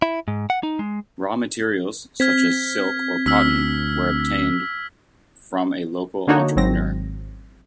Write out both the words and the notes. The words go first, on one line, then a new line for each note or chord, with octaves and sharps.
Raw materials, such as silk or cotton, where obtained from a local entrepreneur.
E4
G#2
F#5
D#4
G#3
C4 F6 G#6 B6
D2 E6 F6 B6
D3 A#3 D4 D#4 F#4 C#5
G#1 F#3 C4 A#6